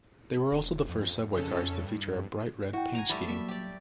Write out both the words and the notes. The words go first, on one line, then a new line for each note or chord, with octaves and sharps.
They were also the first subway cars to feature a bright red paint scheme.
E1
F2
C#3 C#4 A4
G2
E4 F#4 G5
G#5 A#5
G3 A3 E4 B5 A6
F#3 A#3 E5
G4 D5